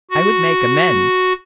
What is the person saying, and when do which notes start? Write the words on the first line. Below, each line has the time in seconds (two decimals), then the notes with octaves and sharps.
I would make amends.
0.11 F#4